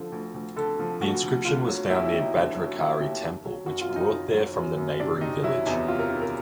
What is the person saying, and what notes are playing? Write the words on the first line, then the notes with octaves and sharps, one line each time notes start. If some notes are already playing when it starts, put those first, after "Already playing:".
The inscription was found near Bhadrakali Temple which brought there from the neighbouring village.
Already playing: D3 F3 A4
D2
D2
D3 A4
F3
D2 F#4
D2
D3 F4
F#3
D#2 E4
E4
D#2
D#4
D3
F#3
D#2 E4
D#2
D#3
F#3
F#2 F#4
F4
F#2
D#4
D#3
F#3
F#2
F#2
C3 D4
D#3 D#4
F#3 E4
E2 D#4
C3 F4
A#4
D#3
A#4